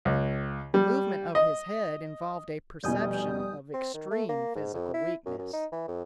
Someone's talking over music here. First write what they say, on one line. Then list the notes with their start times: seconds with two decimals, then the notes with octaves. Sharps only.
The movement of his head involved a perception of extreme physical weakness.
0.05 C#2
0.74 G3
1.35 D#5
2.84 F1 B2 G3 G#5 D#6 G6
3.74 C4
3.94 D#3
4.11 A3
4.29 A#3
4.55 G#2
4.74 F2
4.94 E4
5.26 F#2
5.39 F#2
5.53 D#4
5.72 E3
5.88 F2